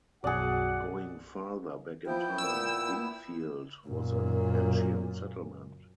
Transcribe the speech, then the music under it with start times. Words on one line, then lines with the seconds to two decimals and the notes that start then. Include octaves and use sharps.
Going further back in time, Bingfield was an ancient settlement.
0.24 B1 F#2 B2 F#4 G#4 D5 F#5
2.06 F3 B3 E4 G5
2.38 A#2 E6
3.87 F#2 A#2